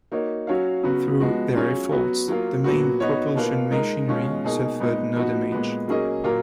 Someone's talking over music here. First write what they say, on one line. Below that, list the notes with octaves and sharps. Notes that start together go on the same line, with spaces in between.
Through their efforts the main propulsion machinery suffered no damage.
A#3 D#4 F#4 C#5
F#3 C#4 F#4 C#5 F5
C#3 F#3 B3 F#4
F3 G#3 B3 F#4
F#3 C#4 F4 G#4 C#5
F#3 B3 F#4
F#3 A#3 F4
A#2 F#3 B3 F#4
B3 D#4 F#4 C#5
B2 A#3 F4 B4 F5
G#3 D#4 A#4
B2 G#3 C#4 F4
B2 A#3 D#4 G#4
A#2 G#3 B3 D#4
F3 B3 D#4 F#4
A#2 G#3 B3
F#3 A#3 C#4 G#4 D#5
A#2 F#3 A#3 F4 A#4